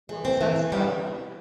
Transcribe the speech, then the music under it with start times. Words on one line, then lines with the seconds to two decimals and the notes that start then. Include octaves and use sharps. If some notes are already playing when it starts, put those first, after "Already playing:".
what was that style like?
0.09 E3
0.25 C4
0.41 E3
0.56 E3
0.72 G3